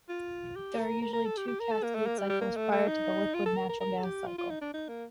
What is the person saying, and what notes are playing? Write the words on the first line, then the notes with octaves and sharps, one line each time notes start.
There are usually two cascade cycles prior to the liquid natural gas cycle.
F4
G4
A#4
A#4
A#4
A4
G4
G4
A#4
A4
A#3
A3
A#3
G3
G3
A#3
A3
A3
D#4
F4
A4
A#4
A#4
A#4
A4
G4
F4
F4
D#4
D4
D#4
A#3